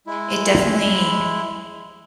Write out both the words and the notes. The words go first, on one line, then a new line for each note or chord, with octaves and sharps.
it definitely,
G#3 E4